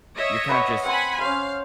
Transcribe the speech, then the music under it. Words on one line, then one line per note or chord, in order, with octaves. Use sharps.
you're kind of just
C#5 D#5 E5
B4 F#5 C#6
C4 F#5 G#5 B5 C6
C#4 C5 F5